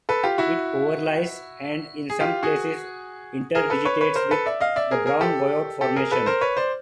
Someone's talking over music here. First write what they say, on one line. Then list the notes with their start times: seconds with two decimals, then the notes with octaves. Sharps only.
It overlies, and in some places interdigitates with, the Barun Goyot Formation.
0.09 A4 B4
0.23 F4 G4
0.38 E4 F#4
2.10 G#4
2.20 F4 G4
2.43 F#4 G#4
3.55 G#4 A#4
3.70 A4 B4
3.85 B4 C#5
4.01 B4 C#5
4.16 A#4 C5
4.31 A4 B4
4.46 D5 E5
4.61 D#5 F5
4.76 D5 E5
4.91 G#4 A#4
5.06 G#4 A#4
5.21 G4 A4
5.81 G4 A4
5.96 G#4 A#4
6.11 A4 B4
6.26 A#4 C5
6.41 B4 C#5
6.57 C5 D5